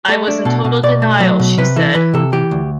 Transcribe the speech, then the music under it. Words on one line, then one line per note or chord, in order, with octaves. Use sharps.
"I was in total denial", she said.
A3 A4
D4
B2 A4
B2
B2 D5
A3
F#3
B2
C3 B4
E3 A4
E3 B4
C3 A4
E3 G4
D2